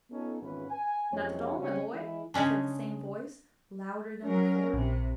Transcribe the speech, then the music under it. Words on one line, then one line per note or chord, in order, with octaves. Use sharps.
"Not at all, my boy," said the same voice, louder than before.
B3 C#4 D#4 F4 A4
G#1 E2 C#4 F4 B4
G#5
F2 C3 E3 G#3 C#4 C#5
C#3 G3 C4 C#4
E3 G#3 E4
C#3 G#3 C#4 D4
F#3 C#4 A#4
A#1 C3